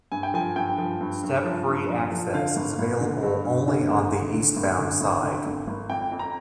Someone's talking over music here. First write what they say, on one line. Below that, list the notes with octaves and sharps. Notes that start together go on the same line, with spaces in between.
Step-free access is available only on the eastbound side.
G2 G#5
G5
F3 G#5
G2 G5
F3
G2
G2
F3
G2
F3
F3
D3 F5
G#1
G#1
D3
G2
G2
D3
G#1
D3
D3
G#1
D3
G#1
D3
G#1
G#1
F2 G5
F2
A#5